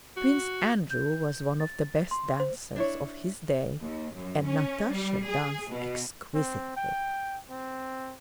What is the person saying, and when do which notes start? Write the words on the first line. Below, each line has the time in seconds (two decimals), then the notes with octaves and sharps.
Prince Andrew was one of the best dancers of his day and Natasha danced exquisitely.
0.16 F#4
0.90 G6
1.60 A6
2.11 C6
2.40 C5
2.76 D4 E4 C#5
3.82 D#2
4.14 F#2
4.44 C#4
4.90 G3
5.27 G#4
5.70 B2
6.34 C4
6.76 G5
7.50 C4